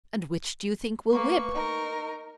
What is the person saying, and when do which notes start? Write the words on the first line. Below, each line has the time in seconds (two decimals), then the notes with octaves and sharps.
"And which do you think will whip?"
1.12 A3 A#3 B4 C#6
1.54 D#4 A#4